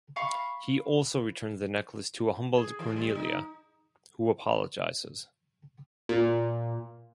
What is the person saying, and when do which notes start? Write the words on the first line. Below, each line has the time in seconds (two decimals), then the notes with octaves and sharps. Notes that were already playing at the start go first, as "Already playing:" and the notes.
He also returns the necklace to a humbled Cornelia, who apologizes.
0.16 F5 B5 C#6
2.57 G#4
2.79 E3
2.96 G3
3.15 D#4
6.09 A#2